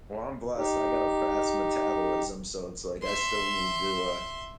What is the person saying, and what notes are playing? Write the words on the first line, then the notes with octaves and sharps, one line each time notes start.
Well, I'm blessed, I got a fast metabolism, so it's like I still need to, uh
D#4 G4
E5 C6